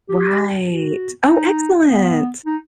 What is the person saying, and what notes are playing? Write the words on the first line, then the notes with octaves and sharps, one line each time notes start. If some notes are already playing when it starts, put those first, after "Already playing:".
Right. Oh, excellent!
G4
F#4
D#4
B3
D#4